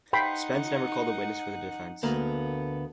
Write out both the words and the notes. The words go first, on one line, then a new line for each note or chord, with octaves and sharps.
Spence never called a witness for the defense.
D#4 F#5 G5 B5 C6
D2 A#3 B3 A4